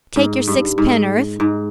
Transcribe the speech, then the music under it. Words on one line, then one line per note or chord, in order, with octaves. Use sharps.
Take your sixpenn'orth.
G#2
G2
G#2
G#2